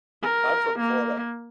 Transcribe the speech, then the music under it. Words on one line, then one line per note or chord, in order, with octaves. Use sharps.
I'm from Florida.
A#4
A#3